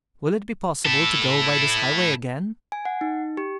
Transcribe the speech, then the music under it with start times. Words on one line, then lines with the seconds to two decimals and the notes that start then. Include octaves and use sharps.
"Will it be possible to go by this highway again?"
0.85 E4 A4
2.72 G#5
2.85 F#5
3.01 D#4
3.37 G4